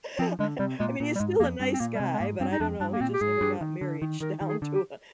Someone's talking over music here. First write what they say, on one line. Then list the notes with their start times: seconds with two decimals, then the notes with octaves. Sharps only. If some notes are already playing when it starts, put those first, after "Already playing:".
I I mean, he's still a nice guy, but I don't know, he just never got marriage down to a
0.19 F3 C4
0.39 D3 G#3
0.59 C3 G3
0.79 A#2 G#3
1.00 A#2
1.15 G3
1.20 G#2 G#3
1.40 F2 A#3
1.60 G2 C4
1.74 C4
1.80 A#2 A#3
1.95 G3
2.00 C3 G#3
2.14 G#3
2.20 G#2 A#3
2.40 G2 C4
2.52 D#4
2.60 F2 D4
2.80 G2 D4
2.92 A#3
3.01 A#2 C4
3.13 G4
3.21 G#2 G#4
3.41 G2
3.61 D#3
3.81 D3
4.02 D#3
4.21 D#3 A#4
4.41 D#3
4.48 G#4
4.62 D3
4.75 G4